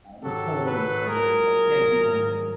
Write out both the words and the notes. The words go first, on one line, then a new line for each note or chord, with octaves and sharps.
uh, that's kind of what I wanna instill in them. It's, like, yeah, you wanna,
G#2 D#3 F#3 G4 A4
A4 B4
A#2 F#3 G#4 A#4
G#2 D#3 F#3